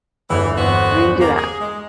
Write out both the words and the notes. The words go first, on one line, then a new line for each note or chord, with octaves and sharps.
I don't even do that.
G1 E2 E3
B3 C4 F#4
C3 A#3
G#4
G#3